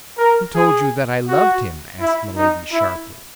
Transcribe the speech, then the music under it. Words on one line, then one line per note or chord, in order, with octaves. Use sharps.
"Who told you that I loved him?" asked Milady, sharply.
A#4
G#4
F#4
E4
D#4
E4